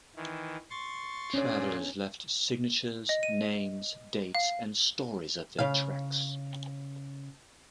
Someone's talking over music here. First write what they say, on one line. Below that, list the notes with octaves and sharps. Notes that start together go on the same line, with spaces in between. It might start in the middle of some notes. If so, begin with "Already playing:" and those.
Travelers left signatures, names, dates, and stories of their treks.
D#3 E3
C6 C#6 A6
A#2 C#4 D4 G#4 C#5 D5
D#5
D#7
F5
C#3 F5